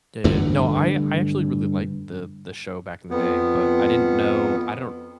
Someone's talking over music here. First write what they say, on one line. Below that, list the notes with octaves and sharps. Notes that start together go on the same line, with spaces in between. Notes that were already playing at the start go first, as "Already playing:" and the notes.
Yeah, yeah. No, I I actually really liked the the show back in the day, but I didn't know I don't
G2 D3 E3 A3
F2 B3